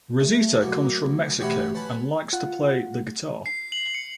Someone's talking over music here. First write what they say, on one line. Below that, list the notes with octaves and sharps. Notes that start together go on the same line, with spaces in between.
Rosita comes from Mexico and likes to play the guitar.
A3
A2 F#3 A#3
A1 F#4 G4 C#5 E5 B5
C#4 B4 A5 B5
F4 F#5
C7
F#7
C#7